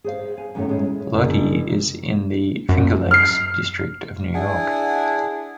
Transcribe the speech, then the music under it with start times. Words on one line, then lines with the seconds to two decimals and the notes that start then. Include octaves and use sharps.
Lodi is in the Finger Lakes District of New York.
0.04 G#4 C5 F5
0.38 G#5
0.55 F#2 A2 D#3 G3 A3 C#4
0.69 G#3 C#4 E4
1.15 F#1
2.69 F#2
3.11 F6 C7
4.33 D4 E4 G#4 F#5